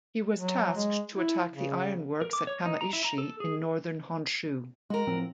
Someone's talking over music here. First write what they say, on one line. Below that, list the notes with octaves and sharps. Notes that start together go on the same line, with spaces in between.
He was tasked to attack the ironworks at Kamaishi in northern Honshu.
F#3
G#3
E4
C#3
A#4
D6
C#5
D#4
A#5
E4
A#5
A4
G#4
G#3 F#4 A#4
A2 F3 C4